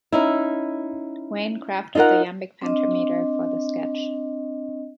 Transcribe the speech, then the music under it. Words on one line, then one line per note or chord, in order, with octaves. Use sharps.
Wayne crafted the iambic pentameter for the sketch.
C#4 D#4 E4
D#4 F4 A4 A#4 F#5
C4 D4 D#5